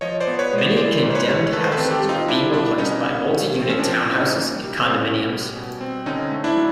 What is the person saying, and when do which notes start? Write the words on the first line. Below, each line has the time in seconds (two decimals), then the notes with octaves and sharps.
Many condemned houses are being replaced by multi-unit townhouses and condominiums.
0.01 F3 C#5 D#5
0.20 C5 D5
0.27 B3
0.39 B4 C#5
0.52 G#3
0.58 C5 D5
0.76 E3 C5 D5
1.03 G#2
1.10 C5
1.15 B4 C#5
1.28 A3
1.53 D#3 A4 B4
1.64 C5
1.71 A4 B4
1.78 C4
1.91 G4 A4
2.03 G3
2.09 D#4 F4
2.28 G3 D4 E4
2.53 B2 D4 E4
2.78 B3 C#4 D#4
3.04 C#3 C#4
3.29 A3
3.54 F3
3.61 C4
3.70 C#4
3.79 F3 C4 D4
4.05 A2
4.17 C#4 D#4
4.30 A#3
4.54 G3
4.80 A#2 C4
4.93 C#4
5.05 B3
5.31 G3
5.56 B2
5.81 C4
6.06 D3 C#4 D#4
6.31 A3
6.44 D4 E4
6.56 F#3